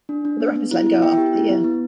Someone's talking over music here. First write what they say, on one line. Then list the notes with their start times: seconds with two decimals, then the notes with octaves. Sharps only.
But the Rapids let him go after the year.
0.09 D4
0.25 D4
0.40 B3
0.56 B3
0.71 E4
0.87 E4
1.02 B3 E5 G5
1.18 G4
1.33 E4
1.49 B3
1.64 B3